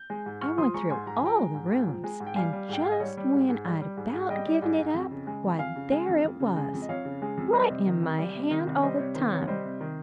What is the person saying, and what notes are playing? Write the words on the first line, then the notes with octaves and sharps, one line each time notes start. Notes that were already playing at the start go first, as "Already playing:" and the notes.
I went through all the rooms, and just when I'd about given it up, why, there it was, right in my hand all the time!
Already playing: G6
G#3
G#2
G#2 C#6 F6
F3 C6 D#6
G#3 A#5 C#6
G#2 G#5 C6
G#2 A#5
G#5
F3 G5 A#5
G#3
G#2
G#2
F3
G#3
G#2
G5
G3 F5 G#5
G3
G#2 G5
G#2 F5
D#5
G3 C#5
G3
G#2
G#2
G3
G3
G#2
G#2
G3 D#5 G5
G3
G#2
G#2
F2
C#3
G#3
F2 G5
F2 F5 G#5
C#3
G#3
F2
F2
C#3
G#3
F2
D#5
F2 C#5 F5
C#3
G#3
F2
G3 C5 D#5
C3
D#3
C2
G3
C3
D#3
C2
G3 C5 D#5
C3 C#5
D#3 C5
C2 C#5
G3 C5 D#5
C3
D#3